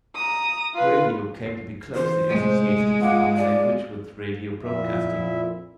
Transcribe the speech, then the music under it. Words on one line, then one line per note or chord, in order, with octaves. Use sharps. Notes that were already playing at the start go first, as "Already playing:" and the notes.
Radio came to be closely associated in common language with radio broadcasting.
A#5 D#6
F4 B4
C7
E3 C5
A2 C3 G#3
F4 F5 F#5 D6
D5
F2 A#2 E4 E5